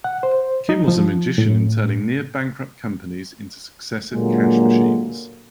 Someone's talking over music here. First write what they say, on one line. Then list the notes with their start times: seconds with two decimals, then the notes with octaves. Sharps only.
Kim was a magician in turning near-bankrupt companies into successive cash machines.
0.04 F#5
0.23 C5
0.69 D#4
0.88 F3
1.38 A2
4.13 A#2 D3 F#3 G#3 A#3